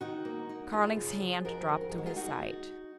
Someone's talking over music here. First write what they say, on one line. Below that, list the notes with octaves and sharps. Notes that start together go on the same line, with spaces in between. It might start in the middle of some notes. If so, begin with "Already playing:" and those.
Carling's hand dropped to his side.
D#3 D#4 F#4
A#3
D#4
F#2 F4 G#4
C#3
F3
F2 F#4 A#4
D#3
A#4
G#3 G#4
F#4
F4 G#4
D#4 F#4